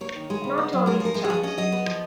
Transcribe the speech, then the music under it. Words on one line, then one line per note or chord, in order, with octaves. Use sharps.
No toll is charged.
A#3 C#5
D#3
G#3
C#3
B3
F#3
G#3 A#4
C#5
F3 A#4
G#3 G#4
G#4
F3 C#5
C#4 D#5
F#3 D#5
B3
F3